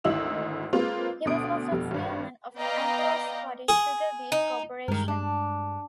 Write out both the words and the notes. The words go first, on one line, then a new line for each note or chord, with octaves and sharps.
He was also chairman of the Anglo-Scottish Sugar Beet Corporation.
G#1 D2 D#4 E4 E6 F#7
G#3 A#3 C4 F4 B4
D2 B2 D4 D#6 D7
F1 B2 G3
G#1 G2
B3 D5 D#5 F5 G5 A#5
G#4
D#4
G2 D#3 G#3 A#4
D4